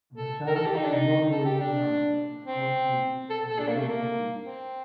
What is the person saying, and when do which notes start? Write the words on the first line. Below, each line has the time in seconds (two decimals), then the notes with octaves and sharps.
The term "nominal number" is quite recent and of limited use.
0.17 A4
0.47 A#4
0.56 A4
0.66 G4
0.75 D#4
0.84 D4
0.94 D#4
1.31 A4
1.45 G4
1.60 D4
2.46 C4
3.30 A4
3.50 A4
3.59 D4
3.68 A#3
3.77 A3
3.88 A#3
4.44 C4